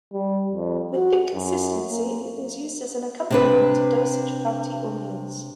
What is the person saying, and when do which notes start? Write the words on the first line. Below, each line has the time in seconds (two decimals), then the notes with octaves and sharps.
With thick consistency it is used as accompaniment to Dosa, Chapati or meals.
0.13 G3
0.52 F2
0.93 F#4
1.34 F#2
1.89 A#3
3.31 C3 D4 B4